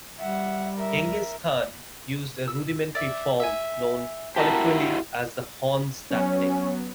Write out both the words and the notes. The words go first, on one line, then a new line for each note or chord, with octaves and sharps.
Genghis Khan used a rudimentary form known colloquially as the "horns" tactic.
G3 E5 F#5
A#4 E5
E6
D5 E5
E5 G#5
E4 F#4 G4 A#4 A5
F#3 B3 C#4